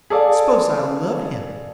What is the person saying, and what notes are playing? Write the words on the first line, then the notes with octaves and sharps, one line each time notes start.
"S'pose I love him?"
G#4 A4 D5 F5